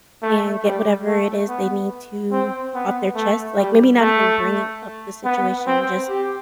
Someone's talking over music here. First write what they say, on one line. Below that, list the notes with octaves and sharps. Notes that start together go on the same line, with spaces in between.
and get whatever it is they need to off their chest; like, maybe not even bringing up the situation, just
A3
G3
A3
B3
C4
B3
A3
G3
A3
B3
C4
G4